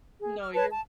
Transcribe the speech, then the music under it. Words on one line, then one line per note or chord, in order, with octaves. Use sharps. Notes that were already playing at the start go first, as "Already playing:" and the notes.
No. You're
G#4
F6
B4 C#5 A5
A5